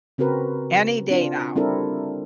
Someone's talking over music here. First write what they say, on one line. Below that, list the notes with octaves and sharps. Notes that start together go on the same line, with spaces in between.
any day now.
C#3 C4 F#4 A#4 B4
C4 D4 F4
G3 C4 D4 E4 A4 A#4